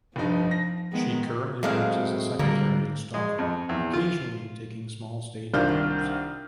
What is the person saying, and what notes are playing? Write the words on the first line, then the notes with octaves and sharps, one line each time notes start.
She currently works as a secretary in Stockholm, occasionally taking small stage roles.
F1 G2 F3 D#4
A#6
D#3 G#3 B3
A2 F#3 G#3 C4 F5
D3 G3 A#3
G#3
F2
E2
F4
C2 D#3 D4 F4 F6 G6